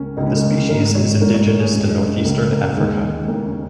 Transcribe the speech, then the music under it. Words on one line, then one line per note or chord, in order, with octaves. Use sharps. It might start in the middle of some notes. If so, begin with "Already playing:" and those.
The species is indigenous to northeastern Africa.
Already playing: C#2 C#3 A#3 C#4
C#2 C#3 D#4
C#4
A#3
C#4
G#1 G#2 D#3 A#4
C#5
G#1 G#2 D#3 A#4
C#5
A#4
G#4
C#2 C#3 G#4
C#4
D#4
C#4
C#2 C#3 A#3
A#3
D#2 D#3 G#3
G#3
D#2 D#3 A#3
C#4